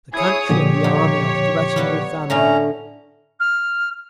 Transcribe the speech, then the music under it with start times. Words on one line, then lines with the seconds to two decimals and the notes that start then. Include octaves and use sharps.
The country and the Army are threatened with famine.
0.14 E4 G#4 C#5 D#6 G#6
0.49 A#2 D3 F3 G4 C#5
0.84 F2 D#4
1.76 G3 B3 F#4
2.30 A2 D3 A3 C#4 A#5
3.39 F6